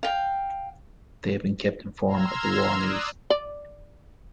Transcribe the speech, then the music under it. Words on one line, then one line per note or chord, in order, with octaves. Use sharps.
They had been kept informed of the war news.
F5 G5
A#5 C6 E6 F6 G#6
D5 D#6 E6 F#6
D5